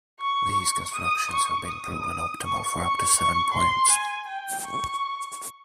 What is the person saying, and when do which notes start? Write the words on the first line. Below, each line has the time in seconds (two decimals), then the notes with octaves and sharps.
These constructions have been proven optimal for up to seven points.
0.20 C#6
0.94 D#6
1.31 C#6
1.68 D#6
2.44 C#6
2.80 C#6
3.17 C#6
3.54 C6
3.92 G#5
4.28 G5
4.66 C#6